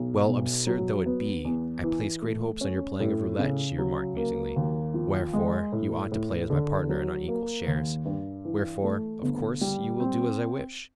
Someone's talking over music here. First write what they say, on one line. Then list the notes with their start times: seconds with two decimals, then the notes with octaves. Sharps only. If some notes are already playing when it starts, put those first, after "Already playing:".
"Well, absurd though it be, I place great hopes on your playing of roulette," she remarked musingly; "wherefore, you ought to play as my partner and on equal shares; wherefore, of course, you will do as I wish."
Already playing: B1
0.28 B2
0.67 F#3
1.06 B3
1.45 E2
1.83 E3
2.22 A3
2.61 C#4
3.00 A2
3.39 C#3
3.78 F#3
4.17 A#3
4.56 D#2
4.94 F3
5.33 G#3
5.72 A2
6.12 A2
6.50 D3
6.89 F#3
7.28 A#3
7.67 D#2
8.05 G2
8.45 E3
8.84 A3
9.23 G1
9.61 G3
10.00 C4